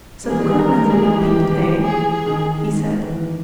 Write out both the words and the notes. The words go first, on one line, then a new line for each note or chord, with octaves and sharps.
"So the clover hasn't been picked, eh?" he said.
G3
E3 G#4
D#3 G3
G#3 B3
A#4
G3 A#3 G#4
E3 G#3
E3 G4
D#3
E3
G#4
G#4
D#3
D#3
D#3
E3